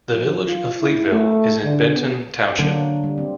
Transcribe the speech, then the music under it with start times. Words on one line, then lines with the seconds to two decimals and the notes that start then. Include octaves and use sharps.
The village of Fleetville is in Benton Township.
0.15 F3
0.47 F4
0.80 E4
1.12 A3
1.64 D3
1.95 B3
2.59 D3 F#3 A#3 D4
3.04 G3
3.18 C4